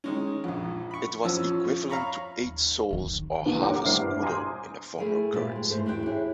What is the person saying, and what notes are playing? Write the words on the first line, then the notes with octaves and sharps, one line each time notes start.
It was equivalent to eight "soles" or half a "scudo" in the former currency.
D#3 G#3 C#4
A#1 F2
B5 C#6
F2 A#2 F3 C#4 E6
C#5 F5 A#5 B5 C#6
D#2
D#2 D#3
D#3 E3 A#3 B3
G4 A#4 C#5 F#5 A#5 D6
G2 E4 C5 F6 C7
G#5 A#5 C6 D6 D#6 G6
A3 E4 G#4 A#4 G5 G#5
A#2 E4 G4 B4 C5 A5
D#3 G#3
G#2 E3 A3 A#4 C5
E2 D4 F#4 G4 D5 G5
E4 G#4 C#5